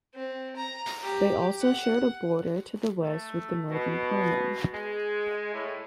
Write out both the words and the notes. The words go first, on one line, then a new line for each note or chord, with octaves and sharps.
They also shared a border to the west with the Northern Pomo.
C4
A#5
G4
F#5
A3
B2
G#3
A2